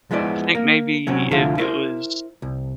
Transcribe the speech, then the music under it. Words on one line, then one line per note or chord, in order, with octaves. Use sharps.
I think maybe if it was
F3 G#3 B3 E4 D5
A#3
C3 F#3 C4 C#4
C2 D3 F3 A3 E4 F4
E4 A#4 C5
C2